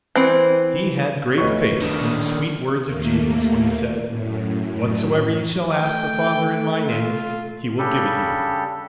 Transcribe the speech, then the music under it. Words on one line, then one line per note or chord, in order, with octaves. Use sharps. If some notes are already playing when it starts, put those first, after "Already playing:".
He had great faith in the sweet words of Jesus when he said, "Whatsoever ye shall ask the Father in my name he will give it you."
E3 C4
D2 A4 B4 C#5 D#5 C#6
D#3 D4
D#2 A3 A#3
F#2 A2
A3 G5
F4
C#3 G3 D4 G4 A4